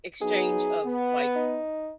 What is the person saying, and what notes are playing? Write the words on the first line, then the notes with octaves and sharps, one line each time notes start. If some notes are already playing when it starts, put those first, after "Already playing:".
exchange of, like,
F#3 B3 D#4 G#4
B3
D#4